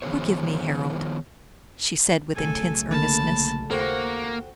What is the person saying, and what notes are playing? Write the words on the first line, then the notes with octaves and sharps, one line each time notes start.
"Forgive me, Harold," she said, with intense earnestness.
D#3 F3 B3 G#4 C5 C#5
B1 C#3 A3 A4 G#5
D3 A#3 A5 B5
D#2 A#3 F#4 A4 C5 G5